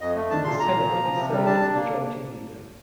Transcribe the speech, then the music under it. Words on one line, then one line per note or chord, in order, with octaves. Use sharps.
In the Senate, he served as Majority Leader.
F2 D#5
A3
D4 A5
A#2 C6
A#2 A#5
A#2
F3
F3
C3
G3
D4 A5
D4
A#3